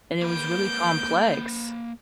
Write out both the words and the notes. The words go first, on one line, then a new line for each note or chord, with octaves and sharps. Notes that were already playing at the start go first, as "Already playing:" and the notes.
and it was really complex.
A#3 B4 G6 D7